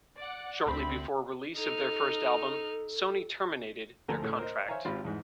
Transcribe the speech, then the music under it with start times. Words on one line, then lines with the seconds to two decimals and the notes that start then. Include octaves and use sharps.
Shortly before release of their first album, Sony terminated their contract.
0.17 D5 F#5
0.64 D2 C4 B5
1.56 D#4 A4 F6
4.08 D2 F3 A3 A4 G#5 A#5
4.22 A2 C#3 A3 C#4 A4
4.39 A#4 C5 D#5
4.68 C5 C#5 E5 F5 G#5 A#5
4.85 G#1 C4 F4 G4 B5 C6
5.05 E2 G#2